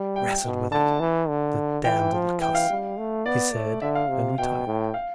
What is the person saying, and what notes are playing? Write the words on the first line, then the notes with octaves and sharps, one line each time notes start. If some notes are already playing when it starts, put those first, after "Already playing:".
"Rastled with it,--the damned little cuss," he said, and retired.
Already playing: G3
G5
B2
D3 A5
E3
D3
E3 G5
F3
E3 G5
F5
G3
A3
B3 D5
A3
D3 E5
F5
C3
B2 G5
A2
F5